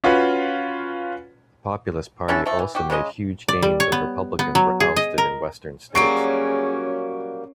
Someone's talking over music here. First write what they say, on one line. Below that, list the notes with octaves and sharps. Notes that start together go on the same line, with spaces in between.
The Populist Party also made huge gains as Republicans were ousted in Western states.
C#4 F4 F#4 B4
D3 C#4 E4 A4
F3 A3
E3
F#4 G4
C#3 G#3 F#4 D#5
D5
G3
C#5
B3
B3
F#3
G#4
D#5
A#4
F#3 G3 A#3 C#4 G#4 C#6 C7 D7